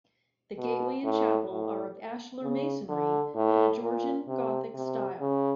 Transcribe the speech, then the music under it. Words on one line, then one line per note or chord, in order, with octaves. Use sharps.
The gateway and chapel are of ashlar masonry in a Georgian Gothick style.
B2
A2
A2
C#3
D3
A2
A#2
C3
C3
C#3